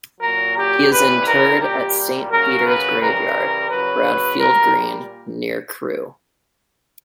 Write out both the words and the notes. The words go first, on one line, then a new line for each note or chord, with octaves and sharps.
He is interred at Saint Peters grave yard, Bradfield Green, Near Crewe.
A#2 F#3 A#4
G4
C#3 E3 G3 B4
A#4
A#2 G3 G4
C#3 F#3 A#4
B4
C#3 E3 G3 A#4
C#3 F#3 B4
A#2 G3 A#4